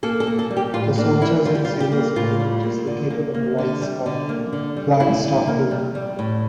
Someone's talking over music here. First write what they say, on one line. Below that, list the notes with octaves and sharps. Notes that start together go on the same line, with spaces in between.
The Soldiers and Sailors Monument is located on a rise called Flag Staff Hill.
A#3 A4
A4
A#3
A4
G3
G4
A2 F4
A#3 D4
G3 E4
G3 F4
G4
F4
G3
G4
A#3
A2 F4
G3
A#3
D3
A#3
A#3
D3
G3
D3
A#3
D3
G3
D3 E4
D3
A#3
G3
G3
A2